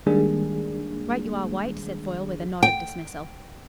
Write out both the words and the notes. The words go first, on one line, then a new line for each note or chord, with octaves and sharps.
"Right you are, White," said Foyle with a nod of dismissal.
D#3 G3 G#3 A#3 D4 G#4
G5